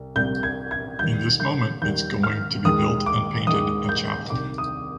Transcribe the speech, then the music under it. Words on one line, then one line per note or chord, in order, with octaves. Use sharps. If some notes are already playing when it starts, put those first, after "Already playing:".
In this moment, it’s going to be built and painted a chapel.
Already playing: C2 C3
C2 C3 G3 G6
G#6
G#6
D#2 D#3 G3 G6
G6
D#2 D#3 G3 G6
F6
D#2 D#3 G#3 D#6
D6
D#2 D#3 G#3 D#6
G6
C2 C3 D#3 D6
D#6